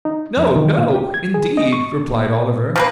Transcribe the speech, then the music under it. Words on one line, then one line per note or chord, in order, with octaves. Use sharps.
'No! No, indeed!' replied Oliver.
D#4
F2
D#3
A#2
G4
G#6
G#4
D#5
C#6
A#2
F3 A#3 B4